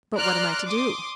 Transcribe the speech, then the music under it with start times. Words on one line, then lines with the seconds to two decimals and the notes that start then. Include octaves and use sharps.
"But what am I to do?"
0.16 D5 A#5 C6 F6 F#6 D7
0.66 C6 D6 D#6